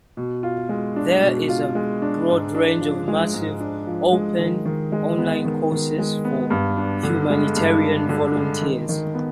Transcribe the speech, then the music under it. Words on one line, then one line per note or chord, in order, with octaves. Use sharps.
There is a broad range of massive open online courses for humanitarian volunteers.
B2
F4
G#3
D4
B2
F4
G#3
D4
G#2
D4
F3
G#3
G#2
D4
F3
G#3
D#3
D#3
G#3
B3
D#3
D#3
G#3
B3
G2
D4
D3
G#3
G2
D4
D3
G#3
D#3
D#3
B3